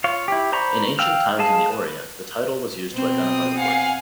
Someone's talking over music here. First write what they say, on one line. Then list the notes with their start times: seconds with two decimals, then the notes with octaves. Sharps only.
In ancient times in the orient the title was used to identify the work.
0.04 F4 C#5 F5
0.28 E4 G4
0.52 C5 D5 A#5 B5 C#6
0.99 F5 G5 E6 F6
1.38 G#3 G#4 F5 A5
1.73 B4
2.92 B2 C4
3.23 D#6
3.58 F5 F#5 G#5